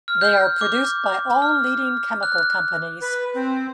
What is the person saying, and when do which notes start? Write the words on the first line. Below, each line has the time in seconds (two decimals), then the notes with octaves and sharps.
They are produced by all leading chemical companies.
0.08 F6
0.21 G6
0.61 D6
1.42 F6
2.23 F#6
3.01 B4
3.34 C4